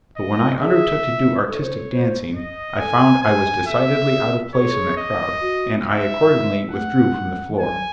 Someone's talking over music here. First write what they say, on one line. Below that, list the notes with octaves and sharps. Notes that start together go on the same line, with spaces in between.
But when I undertook to do artistic dancing, I found I was decidedly out of place in that crowd, and I accordingly withdrew from the floor.
D#5
G#4 E5
A4 C#5
C5
A4
C5
D#5
A4 G#5
C5 G#5
A4 E5
G#4
G#4 C#5
A4
G#4
D#5
F#4
E5
E4
A3 F#5
G#3
G#3
E3
E3 G#5
F#3